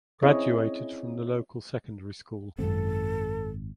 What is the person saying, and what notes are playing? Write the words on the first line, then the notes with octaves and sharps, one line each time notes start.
Graduated from the local secondary school.
C4 C#4 E4 G#4 C#5 D#5
G#1 F#2 C4 A4